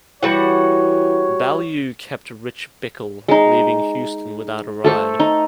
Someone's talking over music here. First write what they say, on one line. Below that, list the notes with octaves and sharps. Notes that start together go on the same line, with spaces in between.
Ballew kept Rich Bickle, leaving Houston without a ride.
E3 G3 F#4 C#5 F#5
G#3 D#4
A3 A4 C5
D#4